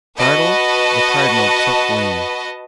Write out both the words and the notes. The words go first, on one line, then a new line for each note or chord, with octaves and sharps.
Startled, the Cardinal took wing.
F#4 B4 D#5 A5